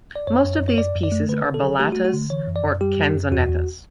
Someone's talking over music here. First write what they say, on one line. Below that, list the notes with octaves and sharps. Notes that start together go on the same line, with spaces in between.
Most of these pieces are ballatas or canzonettas.
D5
F#2 C#5
F#2
F#2
C#5
F#2 D5
F#2
D5
A3
D3 B4
D3
A4
F#3
A3 G4
F#4
A3
F#4
D3
E3 C#5
F#2
D5
F#2
G3 G4
F#2
F#2
E2 F#4
E2